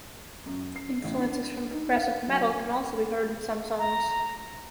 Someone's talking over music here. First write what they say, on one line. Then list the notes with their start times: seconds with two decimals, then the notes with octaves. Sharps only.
Influences from progressive metal can also be heard in some songs.
0.46 F#2
0.76 C7
1.04 A1
1.17 D4
1.71 D#4
1.96 F5
2.28 F#3
3.79 A#5